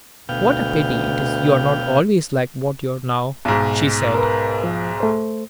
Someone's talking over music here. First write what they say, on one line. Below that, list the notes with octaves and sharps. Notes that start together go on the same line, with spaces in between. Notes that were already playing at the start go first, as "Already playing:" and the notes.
"What a pity it is you are not always like what you are now!" she said.
D2 B2 F5 G5
B1 G#2
A#4 B4
F3
A3 C5